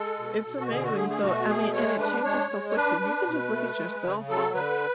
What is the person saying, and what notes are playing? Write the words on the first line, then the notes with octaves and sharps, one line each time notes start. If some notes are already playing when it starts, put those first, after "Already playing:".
It's amazing, so, I mean and it changes so quickly; you can just look at your cell phone.
Already playing: G#3 A4
B2
B2
F#4
D3 G#4
F#4
A3 G#4
G#4
B2 F#4
A3 G#4
G#3 C#5
D4 B4
G#3 C#5
G#3
C#5
D4 B4
D4
B2
A3
G#3
C#3
F#3 A4
D3 B4